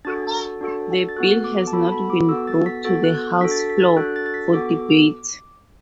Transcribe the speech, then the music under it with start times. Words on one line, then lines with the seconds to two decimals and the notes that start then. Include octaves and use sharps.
The bill has not been brought to the House floor for debate.
0.05 D4 F#4 A4 A6
0.61 D4 F#4 A4
1.09 A6
1.16 B3 F#4 A4 F#6
1.44 D6
1.67 A5
1.73 B3 F#4 A4 B5
1.92 B5
2.10 D6
2.29 B3 F#4 A4 E6
2.47 A6
2.66 B6
2.84 B3 F#4 A4 A6
3.04 F#6
3.41 D4 F#4 A4 B6
3.51 A6
3.59 B6
3.70 B6
3.78 A6
3.97 D4 F#4 A4 F#6
4.16 A6
4.26 A6
4.34 B6
4.53 B3 F#4 A4 D6